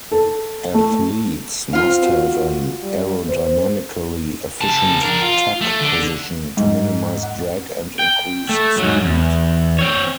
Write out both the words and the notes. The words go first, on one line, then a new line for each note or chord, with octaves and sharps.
Athletes must have an aerodynamically efficient tuck position to minimize drag and increase speed.
A4
A3
C4 F4 F5
F#4
G3
C5
C#3 A5
D4 A#4
F4
A3
D3
G#2
F#5
G5
A3
G#2 F#3
E2
C4 C#5